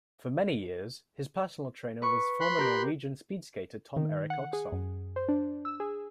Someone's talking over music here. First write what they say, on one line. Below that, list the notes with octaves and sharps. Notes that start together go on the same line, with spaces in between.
For many years, his personal trainer was former Norwegian speed skater Tom Erik Oxholm.
B4 C#6
B5 C6 F#6
G4 A#4
D#3
F#5
G#4
F#2
C5
D4
E6
G#4